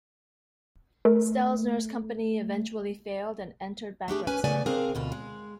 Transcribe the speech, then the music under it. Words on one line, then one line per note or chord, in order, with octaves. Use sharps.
Stelzner's company eventually failed and entered bankruptcy.
A3 A#4
A3 D4 G4 G#4
C#4 B4 G#5
C#3 A3 B3 D5 G#5
C3 C4 D4 G#4 A#4 F5
D2 B2 F4
G#3